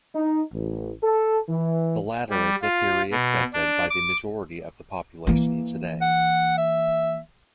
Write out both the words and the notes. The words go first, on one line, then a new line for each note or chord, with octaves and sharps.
The latter is the theory accepted by the majority of the population today.
D#4
A1
A4
E3
G3
F4
B2
D4
D6
E3 A#3
F#5
E5